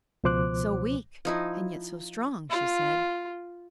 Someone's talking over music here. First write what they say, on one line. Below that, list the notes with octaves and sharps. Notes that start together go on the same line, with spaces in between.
"So weak and yet so strong," she said.
C#2 B2 F3 C5 D6 F#6
F3 D#4 E4
F4